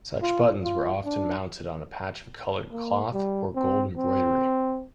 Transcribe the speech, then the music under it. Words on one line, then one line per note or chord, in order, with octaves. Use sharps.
Such buttons were often mounted on a patch of coloured cloth or gold embroidery.
F4
F4
D4
A#3
G3
C4
C4